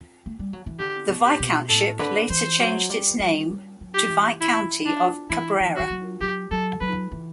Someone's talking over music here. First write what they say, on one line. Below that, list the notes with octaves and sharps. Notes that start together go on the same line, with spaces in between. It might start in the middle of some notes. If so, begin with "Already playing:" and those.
The viscountship later changed its name to viscounty of Cabrera.
A3
G3
F#3
E3
D3 G4
B2
G4
B2
A2 A4
D3 B4
E3 C5
F#3
G3
G3
G3
F#3
G4
E3
E4
D4
E3 E4
E3
E3 F#4
F#3
F#3 G4
F#3 A4
F#3 B4
E3